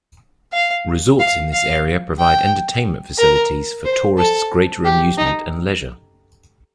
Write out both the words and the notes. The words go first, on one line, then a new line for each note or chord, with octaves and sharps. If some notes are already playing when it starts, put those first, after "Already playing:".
Resorts in this area provide entertainment facilities for tourists' greater amusement and leisure.
F5
F5
F5
G5
A#4
C5
A4
G4
D#4